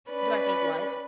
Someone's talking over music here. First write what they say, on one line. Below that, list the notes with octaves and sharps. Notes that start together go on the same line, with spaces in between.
Do I think what?
C#4 B4 D5 B5